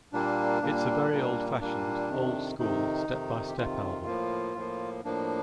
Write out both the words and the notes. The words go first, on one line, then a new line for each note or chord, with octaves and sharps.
It's a very old-fashioned, old-school, step-by-step album.
A#2 G3 A#3 D4
A#2 G3 A#3
A#2 G3 A#3
A#2 G3 A#3 D4
F2 C3 D#3
F2 C3 D#3 D#4
F2 C3 D#3
G4
F2 C3 D#3 F4
A2 F3 A#3
A2 F3 A#3
A2 F3 A#3 D4